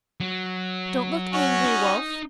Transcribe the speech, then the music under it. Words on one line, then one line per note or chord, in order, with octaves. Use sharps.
Don't look angry, Wulf.
F#3
C#4 F#4 C#5
D#4